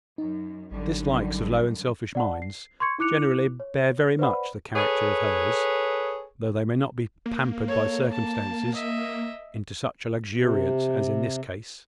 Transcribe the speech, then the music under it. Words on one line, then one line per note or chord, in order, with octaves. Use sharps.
The dislikes of low and selfish minds generally bear very much the character of hers, though they may not be pampered by circumstances into such a luxuriance as in this case.
F#2 D#4
G#1 F#2 D3 G3
D5 F#5 A5
C7
C6 C#6 G#6 C#7
D#4 E4 D6 F#6 C#7 F7
C#5
B4 C5 D5 F#5 B5
G#4 A4 B4 C#5
A#3
A4 C#5
A5
D#5 E5
C3